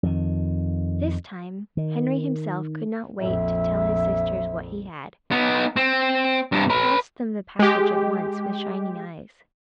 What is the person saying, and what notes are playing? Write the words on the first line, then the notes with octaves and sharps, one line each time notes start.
This time Henry himself could not wait to tell his sisters what he had. He passed them the package at once, with shining eyes.
F2 D#3
D#3
A#1 F2 E5
B3 D#4
C4
G2 C3
B4 A#5
G#3 G4